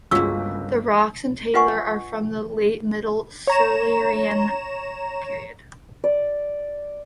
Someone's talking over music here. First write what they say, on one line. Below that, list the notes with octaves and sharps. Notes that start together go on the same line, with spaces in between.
The rocks in Taylor are from the late middle Silurian period.
G1 C#2 A#3 C#4 F4 F#4 E6 B6
F4 B4 D#5 F#5 G#5 C#6
C#5 A#5 E7
D5